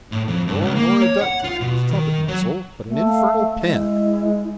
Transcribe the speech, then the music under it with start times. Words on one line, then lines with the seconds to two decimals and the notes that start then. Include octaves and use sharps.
"No; nor a duck gun, with trumpet muzzle; but an infernal pen!"
0.12 A2
0.28 F2
0.47 G2
0.61 C#2
0.76 A#3
1.01 C#5
1.21 F#5
1.44 F4
1.61 B2
1.91 D#3
2.28 F#3
2.88 A3
3.07 F5
3.62 G#3 E4